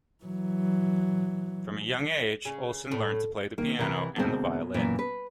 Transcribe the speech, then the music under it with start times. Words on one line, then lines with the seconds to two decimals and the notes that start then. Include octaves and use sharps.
From a young age Olsen learnt to play the piano and the violin.
0.24 E3 F#3
2.45 C#3
2.91 A2
3.58 D#3 A#3
3.79 C2 C3 E3 A#4 G#6
4.16 D2 B2 G#3 A#3 C4
4.74 F#2 A#2 E3
4.99 B4